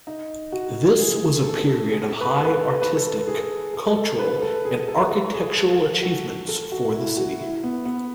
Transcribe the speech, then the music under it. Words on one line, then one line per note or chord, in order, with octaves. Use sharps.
This was a period of high artistic, cultural and architectural achievements for the city.
D#4
F#4
G#4
A4
A4
G#4
A4
B4
A4
B4
A4
B4
A4
G#4
A4
A4
B4
A4
G#4
A4
A4
G#4
A4
F#4
A4
F#4
E4
F#4
E4
B3
B3